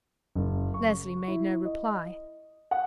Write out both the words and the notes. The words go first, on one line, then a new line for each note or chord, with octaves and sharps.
Leslie made no reply.
F#1
C#6
E4
D#5
F#5